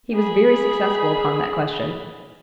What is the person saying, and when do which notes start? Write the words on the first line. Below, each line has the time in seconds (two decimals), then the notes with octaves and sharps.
He was very successful upon that question.
0.14 G#4 B5